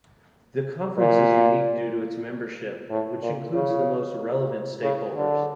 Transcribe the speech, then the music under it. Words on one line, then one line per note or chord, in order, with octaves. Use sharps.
The Conference is unique due to its membership, which includes the most relevant stakeholders.
A#2
A2
A#2
C#3
C#3
D3